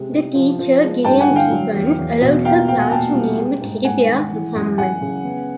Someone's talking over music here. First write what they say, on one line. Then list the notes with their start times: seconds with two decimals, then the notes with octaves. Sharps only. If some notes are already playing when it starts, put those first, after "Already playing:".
The teacher, Gillian Gibbons, allowed her class to name a teddy bear Muhammad.
Already playing: C3 G#3
0.12 C3
0.35 F3
0.59 F3
0.82 G#3
1.05 G2 G5 A5
1.21 F#5 G#5
1.29 D3
1.36 F5 G5
1.51 F#3
1.74 E2
1.99 E2
2.22 B2
2.45 A#3 F5 G5
2.68 A#2 F5 G5
2.79 F#5 G#5
2.91 A#2 G5 A5
3.15 G3
3.38 G#3
3.62 G#2
3.84 G#2 F#5 G#5
4.08 D#3
4.31 E3
4.55 F#2
4.78 F#2 F#5 G#5
5.01 C#3
5.24 B3